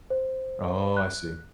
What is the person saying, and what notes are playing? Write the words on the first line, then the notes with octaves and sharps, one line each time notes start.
Oh, I see.
C5
F#6